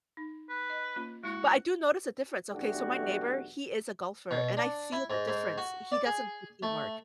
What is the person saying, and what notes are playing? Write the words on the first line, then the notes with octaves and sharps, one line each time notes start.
But I do notice a difference, okay, so my neighbor, he is a golfer, and I see the difference. He doesn't do teamwork.
D#4
B4
D#5
A#3 C#4 F4
G#3 E4 F#4
B1 E2 A3 D4 F#4 G4
B2
D4
E4
G#2
G#2
F#4
D5
G#4
A3